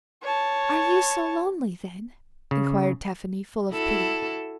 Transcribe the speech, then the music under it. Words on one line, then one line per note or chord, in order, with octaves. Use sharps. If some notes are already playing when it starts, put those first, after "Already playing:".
'Are you so lonely, then?' inquired Tephany, full of pity.
C#5 A5
C#3
E4 F#4 A4